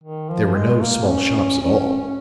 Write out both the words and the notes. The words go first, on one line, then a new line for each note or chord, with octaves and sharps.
There were no small shops at all.
D#3
F3
G#3
A#3
C#4
C#4
C#4